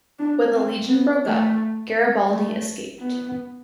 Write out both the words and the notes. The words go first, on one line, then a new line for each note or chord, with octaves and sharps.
When the legion broke up, Garibaldi escaped.
D4
C4
B3
A3
A3
B3